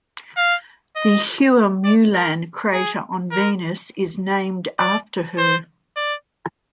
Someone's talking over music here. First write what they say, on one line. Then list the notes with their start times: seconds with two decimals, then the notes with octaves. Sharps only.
The Hua Mulan crater on Venus is named after her.
0.37 F5
0.96 D#5
1.84 D5
2.14 A#4
2.73 G#4
3.31 A#4
4.79 D5
5.38 C5
5.97 D5